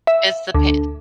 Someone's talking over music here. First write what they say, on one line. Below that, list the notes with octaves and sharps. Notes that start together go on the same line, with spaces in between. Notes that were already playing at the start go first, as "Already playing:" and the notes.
It's the pa
E5
D2